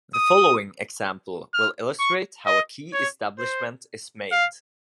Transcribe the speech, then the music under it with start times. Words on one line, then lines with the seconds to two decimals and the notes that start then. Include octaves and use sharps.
The following example will illustrate how a key establishment is made.
0.15 D#6
1.54 F6
2.00 C#6
2.46 D#5
2.94 C#5
3.39 C5
4.32 F5